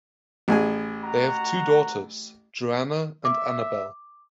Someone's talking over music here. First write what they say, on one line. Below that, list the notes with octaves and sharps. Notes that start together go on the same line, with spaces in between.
They have two daughters, Joanna and Anabel.
A1 G#4 G#5
F#4 F#5 A#5
E5 D6